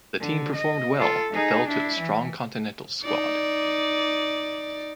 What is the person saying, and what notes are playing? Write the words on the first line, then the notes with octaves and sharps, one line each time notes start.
The team performed well but fell to the strong Continentals squad.
D3
D#5
F4 A4
D#4 G#4
D4 E4
E3
D#4 D5